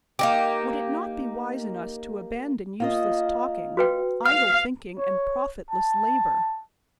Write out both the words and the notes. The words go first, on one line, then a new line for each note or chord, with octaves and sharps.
Would it not be wise in us to abandon useless talking, idle thinking, and profitless labour?
A#3 D#4 G4
A#3 F4 D#5
F#4 B4 G5
F5 F6
C#5
A5